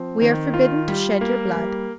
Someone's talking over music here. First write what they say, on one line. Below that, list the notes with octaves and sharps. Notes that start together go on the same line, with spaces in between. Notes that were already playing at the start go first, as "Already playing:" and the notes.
"We are forbidden to shed your blood."
Already playing: F3 C4
D#3
F4
G3
A#3
G3